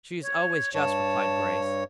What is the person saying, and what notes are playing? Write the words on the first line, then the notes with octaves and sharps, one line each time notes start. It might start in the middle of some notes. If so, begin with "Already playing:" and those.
"She is always just," replied Grace.
C#5
G2 C#5 A5